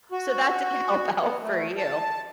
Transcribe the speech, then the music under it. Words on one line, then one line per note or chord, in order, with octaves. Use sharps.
so that did help out for you.
F#4
B3
A3
A5